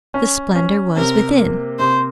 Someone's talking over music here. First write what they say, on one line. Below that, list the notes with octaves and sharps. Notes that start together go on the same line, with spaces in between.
The splendor was within.
C#4
C#4
C3 A#4
A#3
C3 C5